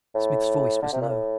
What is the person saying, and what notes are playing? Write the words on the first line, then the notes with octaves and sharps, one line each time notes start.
Smith's voice was low.
A2
D3
C3
A#2
A2